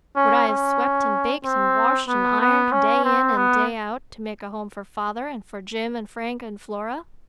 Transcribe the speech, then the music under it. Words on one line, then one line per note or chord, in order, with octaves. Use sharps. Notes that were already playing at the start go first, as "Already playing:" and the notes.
Would I have swept and baked and washed and ironed, day in and day out, to make a home for father and for Jim and Frank and Flora?
C#4
C#4
C4
B3
B3
C#4
C4
B3